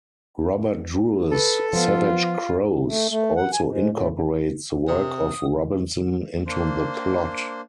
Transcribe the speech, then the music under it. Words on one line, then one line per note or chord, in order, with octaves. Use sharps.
Robert Drewes' 'Savage Crows' also incorporates the work of Robinson into the plot.
A4 B4
F3 B3 F4
A3
A3
F#5
G#5
G#2
A2
C3 D#6
A#3 D4 C5